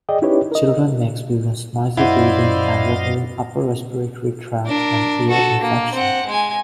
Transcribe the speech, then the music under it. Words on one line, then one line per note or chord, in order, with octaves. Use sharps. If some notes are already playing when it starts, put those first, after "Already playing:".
Children may experience noisy breathing and recurring upper respiratory tract and ear infections.
G#4 D5 D#5 G5
C#4 D#4 E4 G4 B4 C#5
A#4 D#5
F#2 E4 C5 D5 D#5 F5 F#5
D4 A#4
F#4 A4
A#3
C4 F#5
G#3 G#5